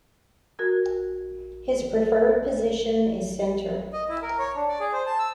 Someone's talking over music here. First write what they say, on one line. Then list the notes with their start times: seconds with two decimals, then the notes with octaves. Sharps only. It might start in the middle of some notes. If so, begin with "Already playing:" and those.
His preferred position is centre.
0.59 F#4 A#4 G#6
3.93 D#5
4.09 E4
4.22 A#4
4.39 C#5
4.56 D4
4.68 D5
4.80 G#4
4.93 C5
5.06 A5
5.19 E6